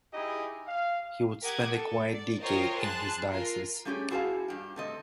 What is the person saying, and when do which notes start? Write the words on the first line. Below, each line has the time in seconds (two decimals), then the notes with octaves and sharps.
He would spend a quiet decade in his diocese.
0.13 D#4 E4 G4 G#4 D#5
0.67 F5
1.42 G4 A#4 F#5 D6 D#6 G#6
1.75 A4
2.10 D5
2.42 F4 A#4 C5 C#5 D#5 G5
2.80 G#4 A5 C6 F#6
3.29 F4 A#4
3.85 G3 A3 C#4 G4 G#4
4.10 E4 F#4 G#4 A4 F5 A5
4.48 G2 G4
4.76 C3 A3 D#5